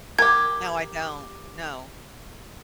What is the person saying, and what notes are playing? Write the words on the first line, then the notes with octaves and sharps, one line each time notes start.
No, I don't, no,
G4 A#4 G#6